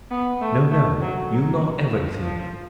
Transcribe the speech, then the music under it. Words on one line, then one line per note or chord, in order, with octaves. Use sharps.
No, no; you know everything.
B3
A3
A3
F#3
F#3
F3
F3